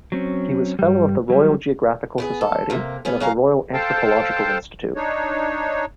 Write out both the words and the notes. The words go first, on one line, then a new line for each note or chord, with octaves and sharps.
He was fellow of the Royal Geographical Society and of the Royal Anthropological Institute.
F#3 C4 C#4
G2 G3
F#3 G3
B3 G4 G#4
A4
C3 A#3
B3 C#4 G#4
F#3 C#4 F5 A#5
A4 C5 F5 G5 A5
D4 D#4 C#5